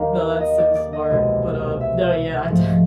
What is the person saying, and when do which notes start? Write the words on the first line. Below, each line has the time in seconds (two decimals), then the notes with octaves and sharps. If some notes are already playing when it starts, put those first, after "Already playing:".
No, that's so smart, but, uh no, yeah, I t
Already playing: D#2 D#3 G3 A#3 F5
0.40 D#5
0.58 D5
0.75 D5
0.93 D#5
1.10 C2 B2 G#3
1.81 E5
2.50 G#2 F3 A3